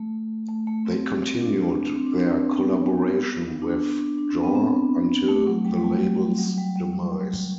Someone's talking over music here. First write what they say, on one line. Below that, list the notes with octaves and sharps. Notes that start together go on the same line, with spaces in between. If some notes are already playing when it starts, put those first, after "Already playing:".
They continued their collaboration with Jor until the label's demise.
Already playing: A3
A3
A3
C4
D4
C4
D4
C4
B3
D4
D4
C4
B3
C4
A3
F#3
G3
G3
A3
F#3
G3
F#3
G3
G3